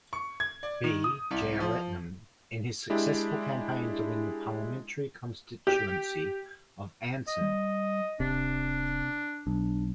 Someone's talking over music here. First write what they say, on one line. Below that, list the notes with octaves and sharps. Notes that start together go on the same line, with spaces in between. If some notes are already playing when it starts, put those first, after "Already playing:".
B. Jeyaretnam, in his successful campaign to win the parliamentary constituency of Anson.
C#6
G#6
D5
D#3
D#6
C2
F3
G#3 D4 E4 G4
G4
D#5
G3
D1 C3 D4
B1 D4